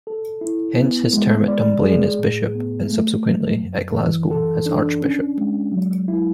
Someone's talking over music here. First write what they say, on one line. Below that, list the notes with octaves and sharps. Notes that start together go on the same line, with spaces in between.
Hence his term at Dunblane as Bishop and subsequently at Glasgow as Archbishop.
A4
E4
B3
G#3
D5
G#4
A2
B3
A3
F#3
F#2
E3
A4
D4
C#4
G#3
F#3
E4